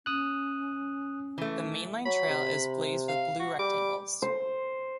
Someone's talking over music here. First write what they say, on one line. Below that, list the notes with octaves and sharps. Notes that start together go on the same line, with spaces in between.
The mainline trail is blazed with blue rectangles.
C#4 D#6 F#6
E3 A3
F#3 B5
C3
F5
F#4
G3 D6
C5